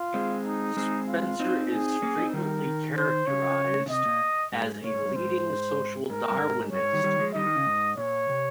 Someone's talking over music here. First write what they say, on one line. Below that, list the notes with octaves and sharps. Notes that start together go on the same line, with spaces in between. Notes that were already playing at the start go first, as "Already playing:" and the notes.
Spencer is frequently characterized as a leading Social Darwinist.
Already playing: F4
G#3 C4
D#4
G#3 C4
F4
C4 D#4
G#4
A#3 C#4
C4 D#4
D#3 G3 A#4
D#3
C5
C#3 C#5
C#3
C3 D#5
A#2
G#2
A#2 C#5
G#2
G2
G#2 C5
G#2 A#4
G2
G#2
G2 C#5
G#2
D#3 G3
D#3 G3
F3 G#3
D#3 G3 D#5
D#3
C#3
G#2
A#2 C#5
C3